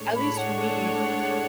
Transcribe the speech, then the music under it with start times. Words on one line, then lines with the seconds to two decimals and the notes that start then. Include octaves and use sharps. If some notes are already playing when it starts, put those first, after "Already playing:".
at least for me,
Already playing: A2 G#3 D4 A4 C#5
0.15 B5
0.38 F#5